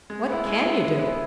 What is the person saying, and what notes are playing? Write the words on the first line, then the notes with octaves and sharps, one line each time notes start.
"What can you do?"
G#3
B3 E4
G#3
B3 E4
G#3
B3 E4